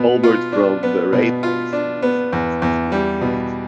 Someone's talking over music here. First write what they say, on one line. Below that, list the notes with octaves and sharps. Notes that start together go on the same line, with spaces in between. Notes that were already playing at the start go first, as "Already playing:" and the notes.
"Albert" from The Railway Series has this wheel arrangement.
Already playing: B2 B3
F4
D4
B3
B2
F4
D4
B3
E2
E2
G3
B2